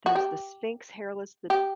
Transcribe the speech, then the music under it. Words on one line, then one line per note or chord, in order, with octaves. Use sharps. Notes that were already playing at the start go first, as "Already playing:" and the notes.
there's the Sphinx hairless, the
F#4
G4
G4